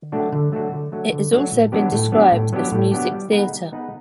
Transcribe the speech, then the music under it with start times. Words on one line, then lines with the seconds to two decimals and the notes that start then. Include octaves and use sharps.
It has also been described as music theater.
0.12 F#3 A3 D4 F#4
0.33 D3
0.52 F#3 A3 D4 F#4
0.72 D3
0.92 F#3 A3 D4 F#4
1.12 D3
1.32 F#3 A3 D4 F#4
1.52 A2
1.72 F#3 B3 D4 G4
1.92 A2
2.12 F#3 B3 D4 G4
2.32 A2
2.53 F#3 B3 D4 G4
2.72 A2
2.92 F#3 B3 D4 G4
3.12 G3
3.32 B3 D#4 G#4 B4
3.52 G3
3.72 B3 D#4 G#4 B4